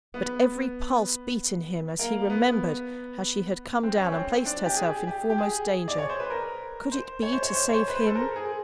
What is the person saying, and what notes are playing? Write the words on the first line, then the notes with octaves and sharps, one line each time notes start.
But every pulse beat in him as he remembered how she had come down and placed herself in foremost danger,--could it be to save him?
B3
A#3
B3
C4
C#4
C4
D4
G4
G#4
G4
G4
G#4
D5
C#5
C5
B4
A#4
C5
C#5
C5
C#5
C5
C#5
C5
B4
C5
A4
A#4
G#4